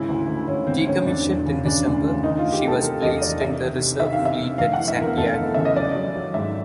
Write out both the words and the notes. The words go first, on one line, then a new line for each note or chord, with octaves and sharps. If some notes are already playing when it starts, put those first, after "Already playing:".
Decommissioned in December, she was placed in the Reserve Fleet at San Diego.
Already playing: G#2 C#3 E4
D2
D2
D2 C#4
C#3 C4
D2 C#4
E1 D4
E1
C#3
C#3 D4
D2
C#3
D#3 D#4
D2 F4
G4
C3 A4
C3 A#4
E1 D#5
D#3 D5
C3 E5
D#3
C3
D#3 E5
F5
C3
E5
C3
F1 F5
E3 F#5
E5
E2 A#4
F1 A4
E2
C#3 E5
D#5
F#3 D5
F#3
F#3
G#2 E5